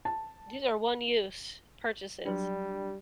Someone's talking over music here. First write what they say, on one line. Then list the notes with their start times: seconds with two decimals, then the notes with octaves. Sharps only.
these are one-use purchases
0.05 A5
2.25 F#3 G3 D4